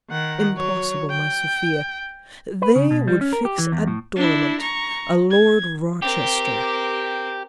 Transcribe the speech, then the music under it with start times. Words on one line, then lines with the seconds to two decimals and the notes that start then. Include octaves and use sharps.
Impossible! my Sophia; they would fix a Dorimant, a Lord Rochester.
0.10 D#3 F#5
0.54 F#3 C#5
1.10 G5
2.62 B4
2.76 C#3
2.91 B2
3.08 G3
3.21 C#4
3.33 A#4
3.45 G4
3.58 E3
3.72 E2
3.88 A2
4.16 D4 E4
4.60 A#5 C#6
5.31 G#6
6.02 C4 G4 A#4